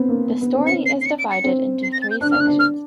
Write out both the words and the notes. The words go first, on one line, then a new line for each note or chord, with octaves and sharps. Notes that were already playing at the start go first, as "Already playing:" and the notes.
The story is divided into three sections.
Already playing: B3 C4
A#3
B3
B3
C4
C#4 C#7
C7
C7
C#7
D7
C#7
C4
C7
A#6
A6
G6
D4 F#6
D4 F6
F#6
D4
F6